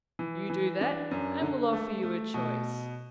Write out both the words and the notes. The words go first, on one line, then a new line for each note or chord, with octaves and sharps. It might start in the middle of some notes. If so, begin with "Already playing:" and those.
You do that, and we'll offer you a choice.
E3
E3
D4
F#2
D3
A3
A3
B2